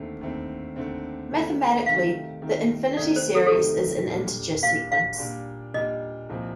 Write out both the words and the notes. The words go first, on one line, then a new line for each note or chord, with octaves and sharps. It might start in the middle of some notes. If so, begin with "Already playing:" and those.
Mathematically, the infinity series is an integer sequence.
Already playing: D#2 D3 A3 C4
D#2 D3 A3 C4
D#2 D3 A3 C4
D#2 D3 A3 C4
C3 D#3 A3 F5
C3 D#3 A3
C3 D#3 A3 D5
C5
A4
A4
C3 D#3 A3 G4
A#2 G3 D4
A#2 G3 D4 F5
F5
A#2 G3 D4
A#2 G3 D4 D#5
C2 A#2 F3 C4 F4